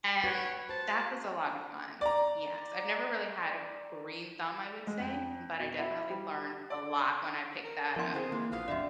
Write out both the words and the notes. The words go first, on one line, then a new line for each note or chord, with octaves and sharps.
and that was a lotta fun. Yes, I've never really had a green thumb, I would say, but I definitely learned a lot when I picked that up.
F#4 B4 C#5 F#5
C5 A5
D5 A#5
G#3
F2
B2
E4
G3
D5
A#4
F3 B3 C#4 E4 A#4 C6
D3 C4 G#4 A4 D#5
A#2 E3 G#3 A#3
A#1 B3 F4 F#4 F5
F1 D3 F#3 C4 D5 E5